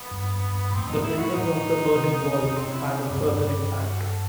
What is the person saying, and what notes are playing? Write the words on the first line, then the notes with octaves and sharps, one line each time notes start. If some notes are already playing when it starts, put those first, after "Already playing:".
The building of the Berlin Wall had a further impact.
Already playing: B3
G2
A2 C4
D#4
E4
F#4
D#4
C3
C4
E4
D#4
G3
F#2
G2
F#4
A4